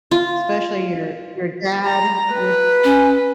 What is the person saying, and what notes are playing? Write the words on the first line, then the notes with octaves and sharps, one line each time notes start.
especially your your dad, your
F4
A#5
B4
C#4